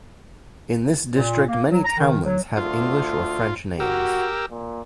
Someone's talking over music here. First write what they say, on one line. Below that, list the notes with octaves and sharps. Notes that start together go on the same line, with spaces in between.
In this district, many townlands have English or French names.
A#2
A#3
F#3
A#5
D#3
F#3
D2 F4
F#4 G4 A#4 E6
A#2